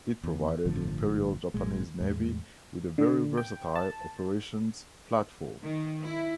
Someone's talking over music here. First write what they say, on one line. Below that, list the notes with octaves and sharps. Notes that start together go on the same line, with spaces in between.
It provided the Imperial Japanese Navy with a very versatile operations platform.
E2
G1 A2 D3 F3
G#1 A#2 G#3
E2 A2 G#3
D3
G5
A5
D#3
E4